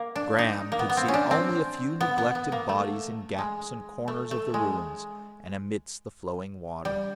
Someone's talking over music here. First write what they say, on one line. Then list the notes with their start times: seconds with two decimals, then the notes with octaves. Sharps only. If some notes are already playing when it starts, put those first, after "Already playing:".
Graham could see only a few neglected bodies in gaps and corners of the ruins, and amidst the flowing water.
Already playing: A#3
0.16 D4
0.39 D#4
0.72 A#3
0.79 B3
0.89 B3
0.97 C4
1.08 C#4
1.14 D4
1.31 C4
2.01 B3
2.18 B3
2.35 B3
2.52 A#3
2.69 A3
3.38 G#3
4.08 A3
4.31 A3
4.54 G#3
6.85 G3